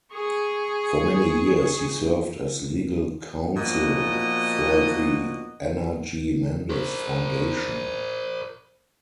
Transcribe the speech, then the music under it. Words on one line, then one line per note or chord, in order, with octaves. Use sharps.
For many years he served as legal counsel for the Ana G. Mendez Foundation.
G#4 C#6
A#2 F3 B3 F#4 D#5
A#4 C5